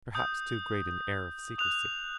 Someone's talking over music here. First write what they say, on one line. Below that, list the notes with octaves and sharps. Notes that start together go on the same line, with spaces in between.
Perhaps too great an air of secrecy.
D#6 G6
D#6 F#6 F7